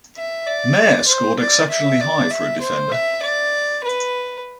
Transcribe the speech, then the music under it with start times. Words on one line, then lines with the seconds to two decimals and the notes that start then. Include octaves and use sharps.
Meir scored exceptionally high for a defender.
0.17 E5
0.47 D5
1.08 C5
1.39 D5
1.70 E5
2.00 D5
2.30 E5
2.61 C5
2.91 E5
3.23 D5
3.84 B4